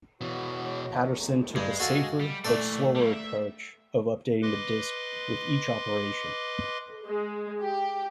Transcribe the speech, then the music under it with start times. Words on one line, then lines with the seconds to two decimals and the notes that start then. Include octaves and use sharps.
Paterson took the safer but slower approach of updating the disk with each operation.
0.21 B2 E3 F#4 C#5
1.56 G2 G#3
1.80 F#4 A4 F5
2.20 G3
2.45 A#2 E3 A3 D4 A4
2.96 G3 A#3
3.13 E5
4.42 B4 D#5 C6 D6
7.08 G#3
7.63 G4